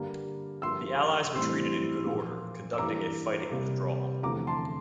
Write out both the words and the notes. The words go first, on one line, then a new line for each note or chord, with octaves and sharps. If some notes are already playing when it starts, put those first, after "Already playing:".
The allies retreated in good order, conducting a fighting withdrawal.
Already playing: G2 D3 G3 A#3 A#5
G2 F3 A#3 C6 E6
A2 E3 G3 C4 C6 E6
A#2 F3 A#3
E6
G2 E3 A#3 A#5 D6
C3 G3 A#3
E2 D3 F3 A3 C4 A#5 D6
A5 C6